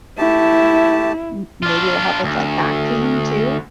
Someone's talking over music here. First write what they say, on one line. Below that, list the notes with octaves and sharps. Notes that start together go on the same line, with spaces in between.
M maybe it'll help with, like, back pain, too?
A3 E4 G4 A5
D4 F4
D2